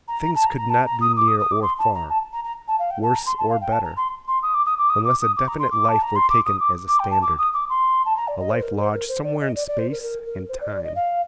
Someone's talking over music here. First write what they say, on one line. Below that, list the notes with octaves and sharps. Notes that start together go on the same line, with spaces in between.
Things could not be near or far, worse or better, unless a definite life were taken as a standard, a life lodged somewhere in space and time.
A#5
A#5
A5
A#5
A#5
A5
A#5
D#6
D6
D#6
D#6
D6
C6
A5
A#5
A5
A#5
A#5
A5
F5
G5
A5
A#5
C6
A5
F5
G5
A5
A#5
C6
C6
D#6
D6
D#6
D6
D#6
D6
D#6
D6
A#5
C6
D6
A5
A#5
C6
D6
D#6
D6
D6
G5
A5
D6
D#6
D6
C6
A5
A#5
D5
D#5
C5
A#4
C5
A#4
C5
D5
D#5
D5
D5
C5
A#4
A#4
A#4
C5
D5
D#5
D5
D#5
F5